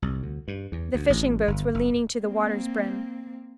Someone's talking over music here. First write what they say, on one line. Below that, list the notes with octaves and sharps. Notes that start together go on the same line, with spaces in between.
The fishing-boats were leaning to the water's brim.
C2
D2
G2
E2
D2
A1
G1
F#1
A#3 C4